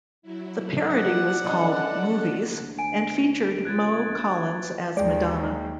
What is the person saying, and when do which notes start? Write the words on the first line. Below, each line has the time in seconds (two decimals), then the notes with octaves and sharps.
The parody was called "Movies", and featured Mo Collins as Madonna.
0.22 F#3 E4
0.89 D5 F#5
1.44 D3 G#3 C#4 A4
2.63 D2
2.79 G#5 D7
3.65 C#2 F#6 G#6 A6
4.06 A#1
4.97 D#2 F#3 G#3 D5 G5